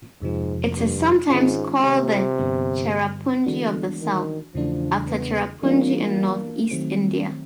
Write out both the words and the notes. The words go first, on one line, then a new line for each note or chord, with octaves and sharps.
It is sometimes called "The Cherrapunji of the South" after Cherrapunji, in Northeast India.
F2 G#2 C3 F3
G2
G#2 D#3 G#3 C#4 F4
C3
G2 D3 G3 B3
D3 E3 G#3 B3 D4 F#4
D#3
E2 C#3 E3 F3 A3 D4
B3
E3 G3 A#3 B3 D4 F4
D#3 F#3 A3 C4